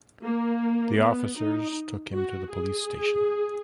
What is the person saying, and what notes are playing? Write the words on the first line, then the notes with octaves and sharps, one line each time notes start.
The officers took him to the police station.
A#3
B3
D#4
F#4
G#4